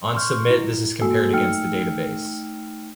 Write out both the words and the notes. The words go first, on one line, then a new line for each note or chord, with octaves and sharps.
On submit, this is compared against the database.
C6 C#6 F6 G6
E4
A#3 F#4 A4 G#5 E6
A3 D#4 G5 E6 F6 C#7